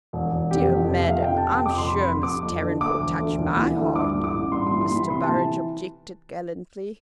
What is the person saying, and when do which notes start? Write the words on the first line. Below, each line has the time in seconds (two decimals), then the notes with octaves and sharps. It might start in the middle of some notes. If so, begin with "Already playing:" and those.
"Dear madam, I'm sure Miss Tarrant will touch my heart!" Mr. Burrage objected, gallantly.
0.13 E1
0.32 E1
0.51 F1 G4
0.71 F2
0.89 F1
1.04 E5
1.08 F2 F5
1.22 G5
1.28 F1
1.37 A5
1.47 F1
1.52 G5
1.66 F2 D6
1.78 C6
1.85 F1
1.90 B5
2.01 F1 C6
2.23 F1 D6
2.43 F2
2.61 D3
2.80 D2 D6
2.99 E1
3.19 D2
3.38 E1
3.57 E3
3.76 D2
3.95 G2 D6
4.14 E3
4.24 D6
4.33 A1
4.52 G2 C6
4.67 E3 C6
4.81 C6
4.91 E3
4.96 B5
5.10 C3 C6
5.23 A5
5.29 E3